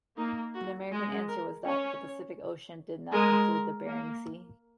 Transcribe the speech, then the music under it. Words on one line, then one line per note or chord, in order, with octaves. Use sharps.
The American answer was that the Pacific Ocean did not include the Bering Sea.
A#3 D#4
F#4
G#3 G#4
A#4
C#4 C#5
G#3 A#4
A#3